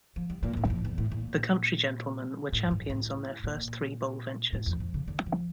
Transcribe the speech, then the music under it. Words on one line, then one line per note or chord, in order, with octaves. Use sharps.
The Country Gentlemen were champions on their first three bowl ventures.
F3
G3
A#2
A2
E2
F2
E2
A2
A#2
A2
F2
G2
A2
A#2
A2
F2
F2
C#3
D3
F3